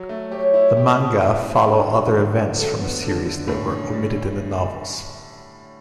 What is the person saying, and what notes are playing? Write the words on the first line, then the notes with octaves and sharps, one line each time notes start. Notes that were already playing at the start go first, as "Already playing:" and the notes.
The manga follow other events from the series that were omitted in the novels.
Already playing: F#3
A3
G4 C#5
E4
G4
E4
E4
E4
G2 D5
F#3
D3
D3
F#3 A4
B3
D3 A4
D3
A2 C#4
C#4
G3